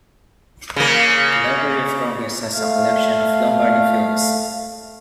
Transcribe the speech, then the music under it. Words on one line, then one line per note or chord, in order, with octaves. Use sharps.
The Library of Congress has a collection of Lombardo films.
C#3 A#3
A3 F5